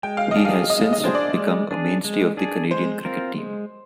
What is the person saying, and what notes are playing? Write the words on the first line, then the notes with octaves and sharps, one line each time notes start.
He has since become a mainstay of the Canadian cricket team.
G#3 G5
F5
D#5
D4 G#4
F5
G#3 D#5
D#5
D4 G#4 C5
D5
G#3
D4 G#4
G#3
D4 G#4
G#3 C5
C4 F4 A#4
G#3